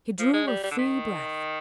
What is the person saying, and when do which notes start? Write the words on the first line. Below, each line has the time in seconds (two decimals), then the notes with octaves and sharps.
He drew a free breath.
0.19 F3
0.34 G#3
0.48 G3
0.63 G3
0.71 D3
0.79 D#3